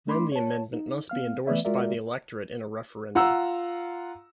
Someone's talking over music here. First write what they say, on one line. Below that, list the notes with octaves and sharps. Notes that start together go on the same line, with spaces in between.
Then the amendment must be endorsed by the electorate in a referendum.
A3 D4 B5 C6 D6
C#5 A5
D#4
B3 F5 F6
E3 A3 B3 B4 D5 E5
G#3 F4 F#4 A#4 D5 E5
F4 F#5 A#5 E6